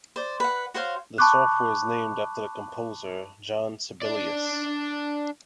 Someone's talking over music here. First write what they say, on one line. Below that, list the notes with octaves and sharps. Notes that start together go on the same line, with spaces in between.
The software is named after the composer Jean Sibelius.
C5 D5
B4 F#5
F#4 C5 C#5 F5
A5 B5 C#6 D6 F#6
D4 D5